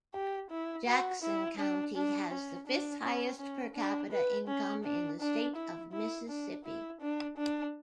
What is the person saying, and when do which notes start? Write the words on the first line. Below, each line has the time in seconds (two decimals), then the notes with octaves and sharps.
Jackson County has the fifth highest per capita income in the State of Mississippi.
0.14 G4
0.50 E4
0.86 F#4
1.23 E4
1.59 D4
1.96 D4
2.31 C#4
2.67 D4
3.03 C#4
3.40 C#4
3.76 D4
4.12 B4
4.48 C#4
4.84 D4
5.20 D4
5.56 E4
5.93 E4
6.29 D4
6.65 E4
7.01 D4
7.37 D4